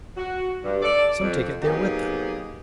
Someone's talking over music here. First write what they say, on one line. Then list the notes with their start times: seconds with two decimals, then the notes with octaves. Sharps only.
Some take it there with them.
0.17 F#4
0.65 G2
0.82 A4 D5
1.20 F2
1.63 F#3 A#3 B3 D#4 G4 G#4